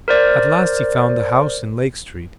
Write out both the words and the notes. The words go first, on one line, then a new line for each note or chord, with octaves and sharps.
At last he found the house in Lake Street.
A#4 C5 D5